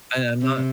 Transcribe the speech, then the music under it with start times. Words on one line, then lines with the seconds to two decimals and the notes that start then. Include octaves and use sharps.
And I'm not
0.42 C3